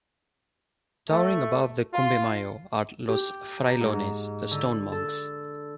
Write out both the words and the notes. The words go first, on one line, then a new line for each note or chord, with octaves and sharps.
Towering above the Cumbe Mayo, are Los Frailones, the Stone Monks.
A3
F4
G4
A#5
G#2
D3
A4